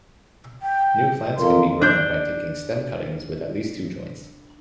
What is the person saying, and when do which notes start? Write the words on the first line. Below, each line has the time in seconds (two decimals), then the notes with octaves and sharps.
New plants can be grown by taking stem cuttings with at least two joints.
0.62 G5
1.37 F2 A#4 C6
1.81 D4 G6